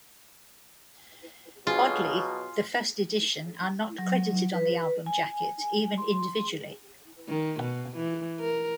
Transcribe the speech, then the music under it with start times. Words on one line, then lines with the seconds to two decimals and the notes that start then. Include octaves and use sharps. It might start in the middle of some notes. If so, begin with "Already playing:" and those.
Oddly the First Edition are not credited on the album jacket, even individually.
1.67 B2 F#3 F4 G#4
3.99 F#3
4.54 B4
5.06 G#5
5.98 C6
7.28 D#3
7.61 B2
7.96 E3
8.40 A#4